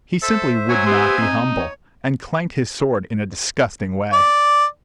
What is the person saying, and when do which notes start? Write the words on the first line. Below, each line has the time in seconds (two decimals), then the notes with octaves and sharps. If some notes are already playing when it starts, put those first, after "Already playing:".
He simply would not be humble, and clanked his sword in a disgusting way.
0.22 A4 C5 E5
0.69 F#3 C#5 G#5
0.86 B3 C4 G4 C6
1.21 C4 D#4
1.59 C#5
4.13 D5